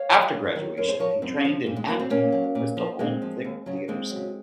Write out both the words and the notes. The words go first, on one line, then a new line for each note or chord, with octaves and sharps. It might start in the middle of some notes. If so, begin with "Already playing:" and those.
After graduation he trained in acting at the Bristol Old Vic Theatre School.
Already playing: C#5 F5
D#3 F#3
G#2
D#3 F#3
F#2 A#4 C#5
G#4 C5
F3 A#4 C#5
F#2 C4 D#4
F3
A#2
G#3
F#3 A#3
C4
A#2 A#3 C#4
F#3
A#2
F3
A#2 G#3 C4
F3
D#2
C#3 F#3
D#2 G#3 C4
F#3
C#3